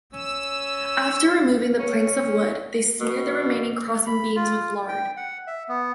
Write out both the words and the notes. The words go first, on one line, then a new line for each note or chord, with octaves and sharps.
After removing the planks of wood, they smeared the remaining crossing beams with lard.
C#4 E6
C#4
B2
B5
F4
G5
F#5
E5
B3